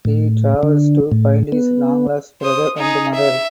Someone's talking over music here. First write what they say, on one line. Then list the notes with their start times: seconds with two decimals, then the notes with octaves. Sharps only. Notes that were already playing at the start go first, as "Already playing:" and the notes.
He travels to find his long lost brother and mother.
0.05 A2
0.63 D3
1.12 A2
1.52 B3
2.41 C5 D#6
2.77 D#4 G#4
3.14 E5